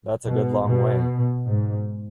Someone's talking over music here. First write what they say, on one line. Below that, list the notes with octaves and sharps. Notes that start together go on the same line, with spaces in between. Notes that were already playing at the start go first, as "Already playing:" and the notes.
That’s a good long way.
B2
B2
G#2